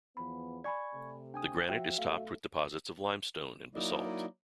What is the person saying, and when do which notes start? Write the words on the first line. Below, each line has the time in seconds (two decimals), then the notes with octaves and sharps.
The granite is topped with deposits of limestone and basalt.
0.17 E2 F3 B3 B5
0.64 D5 G#5 B5 C#6 G#6
0.94 C3 A3
1.34 D4 G5 G#5 D#6
1.69 F3 F#4 E5 G5
1.98 B1 A3 F5
3.75 F#3 A#3 D#4 E4 D5 D#5